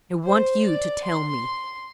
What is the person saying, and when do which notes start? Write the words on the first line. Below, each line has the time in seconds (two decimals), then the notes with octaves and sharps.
"I want you to tell me."
0.24 C5
0.64 D5
1.05 C6